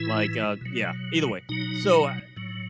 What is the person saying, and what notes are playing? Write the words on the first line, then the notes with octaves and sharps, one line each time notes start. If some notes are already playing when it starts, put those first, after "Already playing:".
like, uh, yeah, either way, so, uh
Already playing: A2 E3 E4
B2 F#3
B2 F#3 D#4
A2 F#3